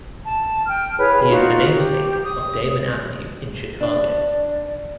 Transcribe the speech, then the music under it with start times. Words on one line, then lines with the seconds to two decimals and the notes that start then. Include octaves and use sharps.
He is the namesake of Damen Avenue in Chicago.
0.25 A5
0.66 G5 F6
0.97 E4 G#4 B4 C#5
1.29 D#4 F4 F#4
1.74 G4
2.23 D#6
3.81 D4